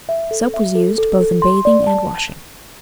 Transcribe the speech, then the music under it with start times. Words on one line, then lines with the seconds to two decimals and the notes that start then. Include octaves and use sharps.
Soap was used both in bathing and washing.
0.09 E5
0.31 A4
0.54 E5
0.75 A4
0.98 A4
1.20 A4
1.42 C6
1.65 D5
1.87 A5